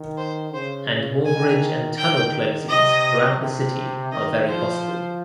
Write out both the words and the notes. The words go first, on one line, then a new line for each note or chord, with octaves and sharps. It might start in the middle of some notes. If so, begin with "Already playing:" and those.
And more bridge and tunnel closings throughout the city are very possible.
Already playing: D#3
C5
C#3 C5
D#3 G#5
D#3 G5
C3 D#5
C3
D#3 D#5
F3 C5